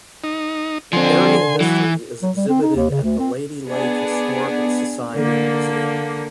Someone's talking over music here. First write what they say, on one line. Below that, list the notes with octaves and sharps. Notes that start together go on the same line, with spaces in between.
Area history is exhibited at the Lady Lake Historical Society Museum.
D#4
D3 F3 C4 G#5 C6
E3 F#3
F#3
G3
C4
D#4
D#2
C#3
D2
C4
B3 D4 G#4
D3 A#3